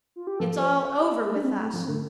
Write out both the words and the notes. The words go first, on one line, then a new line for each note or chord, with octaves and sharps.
It's all over with us.
F4
G4
F3 A4
C5
C5
G4
A3
D4
C4
A3
F3
C4
D3 A3